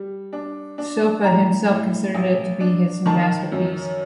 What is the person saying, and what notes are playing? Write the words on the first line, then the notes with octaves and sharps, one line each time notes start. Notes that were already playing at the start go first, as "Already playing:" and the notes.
Sofa himself considered it to be his masterpiece.
Already playing: G3
D4
D4
A2 A#5
A2
A1
D4
D#3 A5
F#2